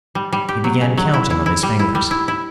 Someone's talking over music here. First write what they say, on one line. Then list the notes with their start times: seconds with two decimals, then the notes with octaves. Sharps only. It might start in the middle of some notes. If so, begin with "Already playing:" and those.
He began counting on his fingers.
0.15 G3
0.32 G3
0.49 G4
0.64 F#3
0.81 C#3
0.97 F#3
1.14 E4
1.30 E4
1.46 E4
1.63 G3
1.79 E4
1.95 G3
2.11 E4
2.28 E4